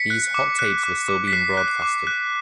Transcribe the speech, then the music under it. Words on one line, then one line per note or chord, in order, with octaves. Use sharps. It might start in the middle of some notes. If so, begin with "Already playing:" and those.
These hot tapes were still being broadcasted.
Already playing: B6 C#7
F#6
D6
F#6
D6
D6
B6
F#6 C7
F#6
D6
F#6